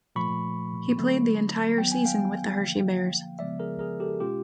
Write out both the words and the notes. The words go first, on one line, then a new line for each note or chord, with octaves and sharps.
He played the entire season with the Hershey Bears.
A#2 F3 A3 B5 C#6
D3 F#3 A3 C4
D#3 F#3 B3 G5
G#5
F5 G5
D3 F3 A#3
C#3 F3 G#3 B3 D5 E5
G#4 A#4
G#4 A#4
G4 A4
B2 G#3 C#4 F4 G4